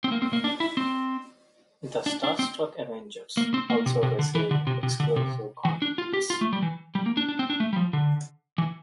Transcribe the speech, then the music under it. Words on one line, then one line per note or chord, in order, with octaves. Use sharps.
The "Starstruck Avengers" also received exclusive contracts.
C4
A#3
C4
A#3
D4
E4
C4
D4
D4
C4
A#3
C4
A#3
C3
C3
D3
E3
D3
C3
C3
D3
C3
E3
D4
F4
G4
F4
A3
G3
E3
G3
A#3
D4
D4
C4
D4
A3
G3
F3
D3
E3